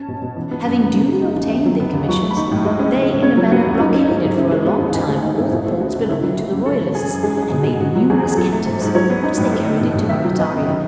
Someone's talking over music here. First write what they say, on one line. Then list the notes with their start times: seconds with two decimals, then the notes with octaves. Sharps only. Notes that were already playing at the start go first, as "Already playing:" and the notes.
Having duly obtained their commissions, they in a manner blockaded for a long time all the ports belonging to the royalists, and made numerous captives, which they carried into Barrataria.
Already playing: C#4 A5
0.08 B2
0.22 B2
0.37 E3
0.51 B3
0.65 F#2
0.79 F#2
0.94 C#3
1.08 G#3
1.22 D#4
1.36 D#2
1.51 D#3
1.65 F#3
1.80 B3
1.93 D#2
2.09 F#3 C#6
2.22 A3
2.31 B5
2.36 D#4 C#6
2.52 A2
2.65 G#3 D#5
2.79 C#4
2.94 C#3
3.08 C#3
3.23 C#3 C#5
3.37 F#3
3.52 B3 F#4
3.65 D#2
3.79 F#3 D#4
3.94 C#4
4.08 G#2 D#4
4.22 G#2
4.37 C#3 E4
4.51 G#3
4.65 B3 F#4
4.80 D#2
4.94 D#3 G#4
5.08 A3 G#4
5.23 D#4
5.37 G#2 E4
5.51 B2 E4
5.66 A3
5.80 C#4 F#4
5.95 C#2
6.09 C#3 E4
6.23 F#3
6.37 A3 F#4
6.51 F#2
6.66 C#3 A4
6.80 E3
6.95 G#3 G#4
7.09 F#2
7.23 G#3 G#4
7.37 C#4
7.43 G#4
7.52 B2
7.61 F#4
7.67 B2
7.80 B2 F#4
7.95 F#3
8.10 E2 G#4
8.23 E2
8.32 G#4
8.37 F#3 A4
8.53 A3
8.66 G#2
8.81 G#2
8.95 F#3 C#5
9.10 B3
9.24 D#4
9.37 A2
9.53 A3
9.66 D#4
9.81 B2
9.95 B2
10.09 D#3 E5
10.25 F#3
10.39 B3 D#5
10.52 F#2
10.67 D#3